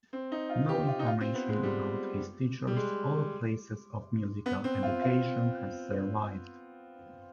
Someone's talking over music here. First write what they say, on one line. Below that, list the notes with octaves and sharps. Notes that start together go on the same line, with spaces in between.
No information about his teachers or places of musical education has survived.
C4
D#4
F4
G4
F4
D#4
F4
C4
B3
G#3
G3
G3
G#3
B3
C4
F4
F4